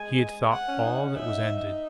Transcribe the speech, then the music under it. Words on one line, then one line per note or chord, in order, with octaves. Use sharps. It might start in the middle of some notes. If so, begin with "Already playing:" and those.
He had thought all that was ended.
Already playing: G#3 G#5
F#5
C#4
D#4
C#4
D#4 E5